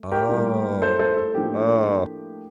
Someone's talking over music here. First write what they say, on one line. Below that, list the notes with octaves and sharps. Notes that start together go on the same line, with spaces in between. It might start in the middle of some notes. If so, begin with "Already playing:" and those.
Oh, oh.
Already playing: A3
G4 A#4
A2 G3 A#3
A4 C5
A4 C5
A4
A2 F3 A#3 D4 G4